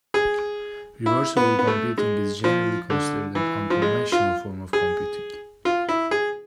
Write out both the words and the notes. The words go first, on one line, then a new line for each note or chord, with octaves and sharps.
Reversible computing is generally considered an unconventional form of computing.
G#4
E4
B3
B3
A3
G#3
F3
D3
E3
F3
G#3
F4
G#4
F4
E4
G#4